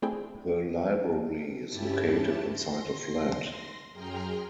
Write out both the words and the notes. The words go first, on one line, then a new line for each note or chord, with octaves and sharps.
The library is located inside a flat.
A3 C4 D4 E4 G#4 G5
G2 C#4 E4 G4 A5 A6
C6 A#6
F#2 G#4 G5 A#5 C6 F6